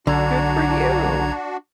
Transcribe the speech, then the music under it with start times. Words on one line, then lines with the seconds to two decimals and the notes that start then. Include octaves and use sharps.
Good for you.
0.07 B1 D3 D4 F#4 A#5 G#6